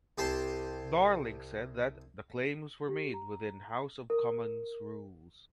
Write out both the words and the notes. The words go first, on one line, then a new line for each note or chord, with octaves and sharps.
Darling said that "the claims were made within House of Commons rules".
C2 G4 C5 A5
G4
A#5
A#4